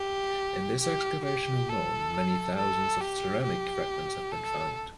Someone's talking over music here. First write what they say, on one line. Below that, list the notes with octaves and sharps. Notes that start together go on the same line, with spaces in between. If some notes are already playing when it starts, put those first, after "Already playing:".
In this excavation alone many thousands of ceramic fragments have been found.
Already playing: G4
G4
G4
A4
A4
G4
G4
A4